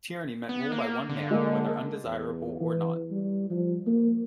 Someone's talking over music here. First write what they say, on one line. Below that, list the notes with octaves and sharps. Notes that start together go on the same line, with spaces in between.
"Tyranny" meant rule by one man whether undesirable or not.
B3
A#3
D3
G#3 A#3
E2
E3
G3
F3
A#3